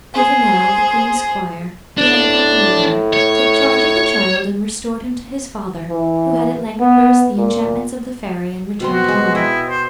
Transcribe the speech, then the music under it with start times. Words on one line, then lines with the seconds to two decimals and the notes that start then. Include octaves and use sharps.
Gouvernail, the queen's squire, who had accompanied her, took charge of the child, and restored him to his father, who had at length burst the enchantments of the fairy, and returned home.
0.14 G#4 C5
1.98 A2 D4
3.13 C#5
5.90 E3
6.80 B3
7.37 A#2
8.80 B2 C4 C6
8.92 F#4
9.08 G#3
9.35 E4 D#5 G5
9.69 C5